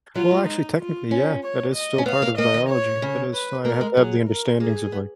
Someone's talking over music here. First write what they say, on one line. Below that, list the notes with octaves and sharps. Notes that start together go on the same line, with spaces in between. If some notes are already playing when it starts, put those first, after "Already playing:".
Well, actually technically, yeah, that is still part of biology, that is why I have to have the understandings of like
F#3 F4
G#3
D#4
F4
C#4
C#5
D#5
C#4
B3 F5
A#3
A#3 D#5
D#3
C#5
C#3
B4
A#3 A#4
G#3
F#3 G#4
A#4
A#3 G#4
B3